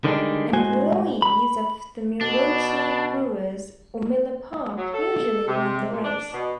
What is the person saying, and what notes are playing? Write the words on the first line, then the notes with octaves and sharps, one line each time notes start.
Employees of the Milwaukee Brewers or Miller Park usually run the race.
D3 D#3 G3 G#3 C#4 D4
A2 G#3 F#4 C5 G#5
B5
B2 D4
F#3
A4
C3
A#2
D4
B2